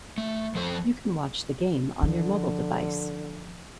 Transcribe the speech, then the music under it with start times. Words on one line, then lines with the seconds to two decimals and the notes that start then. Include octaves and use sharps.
You can watch the game on your mobile device.
0.18 A3
0.55 F3 A4 C5
2.03 D3 F3